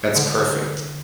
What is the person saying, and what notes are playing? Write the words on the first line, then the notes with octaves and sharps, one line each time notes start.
That's perfect.
D3